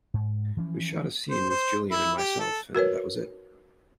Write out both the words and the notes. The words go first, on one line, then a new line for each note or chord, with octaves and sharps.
We shot a scene with Gillian and myself, and that was it.
G#2
E3 F3 C4 C#4
C5
C5
E4
G4
A4
F#4 A#4 B4 C#5